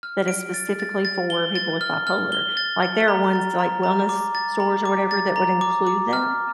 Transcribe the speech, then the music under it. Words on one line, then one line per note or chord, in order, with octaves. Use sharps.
that is specifically for people with bipolar, like, there are ones, like, wellness stores or whatever that would include them,
F6
D7
A6
A6
A6
G7
A6
F6
F6
G7
A6
A6
A#5
A6
A#5
A#5
D6
A6
A#5
D6
A6
A#5
D6
D6
F6